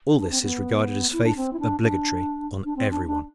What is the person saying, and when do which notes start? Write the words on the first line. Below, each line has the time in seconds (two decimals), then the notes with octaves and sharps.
All this is regarded as faith obligatory on everyone.
0.17 D4
0.31 C4
0.42 B3
1.13 E4
1.24 D4
1.37 C4
1.53 E4
1.60 D4
1.82 D4
2.65 D4
2.77 C4
2.91 D4
3.07 D4